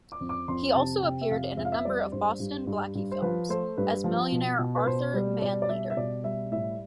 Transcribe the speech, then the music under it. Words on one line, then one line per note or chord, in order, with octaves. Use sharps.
He also appeared in a number of Boston Blackie films as millionaire Arthur Manleder.
D6
F2
D6
F2 C6
C3 A5
C3 G5
E5
F2 F5
F2 E5
F5
E5
G3 D5
G2 C5
G2
G2
G2
C5
F3 B4
A3 C5
G2 B4
F3
B2
B2
B4
B2 C5
G3
B2 D5
D5
G3 E5
E5
B2 D5
G3 E5
A2 E5